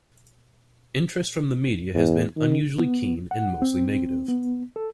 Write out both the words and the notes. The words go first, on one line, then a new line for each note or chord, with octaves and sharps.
Interest from the media has been unusually keen, and mostly negative.
E2
D#3
B3
F#5
C4
B3
A4